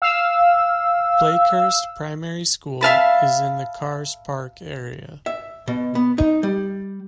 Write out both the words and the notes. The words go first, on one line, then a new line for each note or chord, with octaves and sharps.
Blakehurst Primary School is in the Carss Park area.
F5 E6
E5 F5 A5 B5
E5
B2
B3
D#4
G3